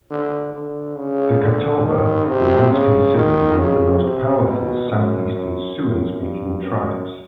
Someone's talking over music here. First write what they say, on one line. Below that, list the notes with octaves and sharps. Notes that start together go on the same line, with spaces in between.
The Catawba were once considered one of the most powerful Southeastern Siouan-speaking tribes.
D3
D3
C#3
D3
D#3
C3
C#3
D#3
C#3
C3
B2
F#2
F#2
F#2
G2
F#2